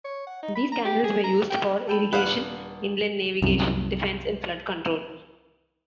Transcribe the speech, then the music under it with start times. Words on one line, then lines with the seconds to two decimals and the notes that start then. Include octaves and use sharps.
These canals were used for irrigation, inland navigation, defense, and flood control.
0.04 C#5
0.27 F#5
0.43 D#4
0.55 B5
0.72 A#5
0.85 G4
1.04 G#4
1.24 A#5
1.50 G5
1.87 A4 G5 B5
2.13 D#1 B3 D4 B4 F5 F#5
3.42 C2 F#2